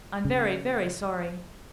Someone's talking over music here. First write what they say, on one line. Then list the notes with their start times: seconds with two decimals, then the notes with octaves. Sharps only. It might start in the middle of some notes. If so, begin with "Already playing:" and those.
"I'm very, very sorry."
0.25 C#3